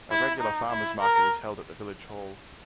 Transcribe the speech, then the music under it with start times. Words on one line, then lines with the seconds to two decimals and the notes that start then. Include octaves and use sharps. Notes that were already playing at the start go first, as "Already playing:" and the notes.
A regular farmers' market is held at the village hall.
0.11 E4
0.41 D#4
0.70 E4
1.00 A#4